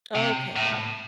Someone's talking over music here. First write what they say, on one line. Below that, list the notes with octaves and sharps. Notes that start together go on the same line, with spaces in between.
Okay, got it.
C3
A2